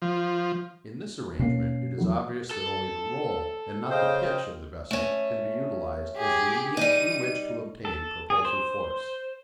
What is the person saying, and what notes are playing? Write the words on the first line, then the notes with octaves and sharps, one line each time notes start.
In this arrangement it is obvious that only the "roll" and not the "pitch" of the vessel can be utilised as the medium through which to obtain propulsive force.
F3
B2 A#3 C#4 C7
E2 E3 F#3
A4
C#3 C5 D#5 F5 G5
A3 C#4
G4 G#4
G3 D#4 D#7
A4
G#4
C5